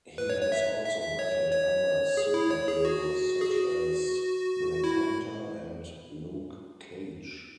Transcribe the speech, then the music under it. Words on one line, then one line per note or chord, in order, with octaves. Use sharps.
He has also battled other super-heroes such as Black Panther and Luke Cage.
B4
C#5
C#5
E5
E5
E5
C#5
C#5
G#4
E4
C#5
G#4
F#4
G#4
F#4
E4